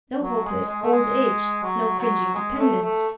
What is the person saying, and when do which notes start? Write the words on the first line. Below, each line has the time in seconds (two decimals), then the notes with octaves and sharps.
No hopeless old age, no cringing dependence!
0.22 F#3
0.45 G#3
0.68 G#3
0.82 A3
0.92 G#3
1.63 F#3
1.99 F#3
2.35 G#3
2.59 A3
2.82 A3